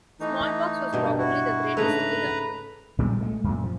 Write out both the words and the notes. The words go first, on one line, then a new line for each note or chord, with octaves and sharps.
Smallpox was probably the greatest killer.
E3 A3 D#4
G2 B2 D4
E4 F#4
G#2 C#3 A3 B4 A#5
A#1 A#2 G3 G#3
G#3 A3
F#2 A#2
F3